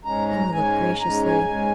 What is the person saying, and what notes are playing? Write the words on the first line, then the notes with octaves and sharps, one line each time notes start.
Emma looked graciously.
G#2 G#3 C#4 A#5
A#5
G#2 G#3 C#4 G#5
G#2 G#3 C#4 A#5
G#5
G#2 G#3 C#4